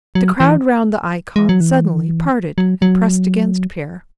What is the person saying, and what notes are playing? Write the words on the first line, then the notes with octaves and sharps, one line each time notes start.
The crowd round the icon suddenly parted and pressed against Pierre.
F#3
E3
G#3
F#3
E3
F#3
F#3